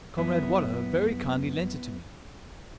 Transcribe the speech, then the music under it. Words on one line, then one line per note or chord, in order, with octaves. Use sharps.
'Comrade Waller very kindly lent it to me.
F#2 B3 E4